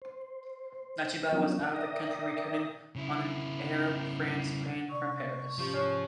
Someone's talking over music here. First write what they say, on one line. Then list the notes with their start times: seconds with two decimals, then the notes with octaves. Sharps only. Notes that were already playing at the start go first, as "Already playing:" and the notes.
Natchaba was out of the country, returning on an Air France plane from Paris.
0.02 C5
1.32 F3 F#3 B3 C#4 D4 F4
1.74 A#4 D5 E5 G5 D#6 A#6
2.96 C#3 E4
4.89 C3 D5 C#6
5.20 C3
5.58 G#2 F3 C#4 G4
5.74 C#4 C#6 F6 F#6